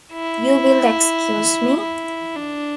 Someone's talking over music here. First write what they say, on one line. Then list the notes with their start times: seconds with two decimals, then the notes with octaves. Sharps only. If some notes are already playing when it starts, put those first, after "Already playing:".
You will excuse me.
0.13 E4
1.80 E4
2.36 D4